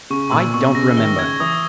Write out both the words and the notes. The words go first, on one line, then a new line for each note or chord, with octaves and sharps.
I don't remember....
C#3 C#6
A#2 E6
B2 C#6
C#3 A#6
D#3 G7
C#3 G#6
E3 D#6